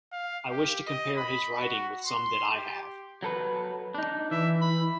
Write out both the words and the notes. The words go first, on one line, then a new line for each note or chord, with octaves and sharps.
I wish to compare his writing with some that I have.
F5
G4
D#5
B5
F#4
C6
G4
F#3 A4 B4
D4 D#4
E3 E5
B5